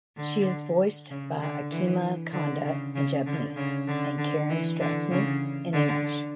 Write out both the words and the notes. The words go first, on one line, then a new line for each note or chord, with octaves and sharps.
She is voiced by Akemi Kanda in Japanese and Karen Strassman in English.
D3
C#3
D3
E3
D3
C#3
C#3
D3
C#3
D3
D3
E3
D3
C#3
D3